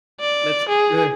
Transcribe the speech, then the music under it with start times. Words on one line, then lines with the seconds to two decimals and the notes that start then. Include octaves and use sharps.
That's ugh.
0.20 D5
0.69 G#4